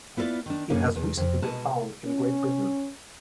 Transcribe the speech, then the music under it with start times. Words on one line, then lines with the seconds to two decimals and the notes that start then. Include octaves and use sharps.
It has recently been found in Great Britain.
0.17 B3 E4 F4 B4 D5
0.46 D#3 D4
0.70 F#2 C#3 A#3 C#4 D4
0.96 E2
1.17 F2
1.42 B2 G#3 A5
2.05 C#4